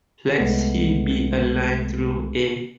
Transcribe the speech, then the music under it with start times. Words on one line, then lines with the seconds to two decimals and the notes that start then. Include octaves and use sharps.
Let "C" be a line through "A".
0.38 C2 G#3 A3 B3